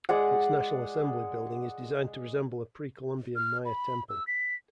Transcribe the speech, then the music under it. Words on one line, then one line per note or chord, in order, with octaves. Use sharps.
Its National Assembly Building is designed to resemble a Pre-Columbian Maya temple.
G#3 G#4 D5 F#5
F6
B5
E6
B6